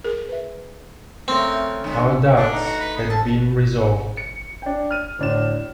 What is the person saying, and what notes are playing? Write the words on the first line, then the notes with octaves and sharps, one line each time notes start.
Our doubts had been resolved.
G#4 A#4
B4 E5
C#3 A3 C4 A#4
D3 G#3
D3 E3 A3 D4 A5
D#4
F#4
B4
G#4
F2 F3 A4 A5
C#7
D4 G5
F6 D#7
D2 A2 D4 E7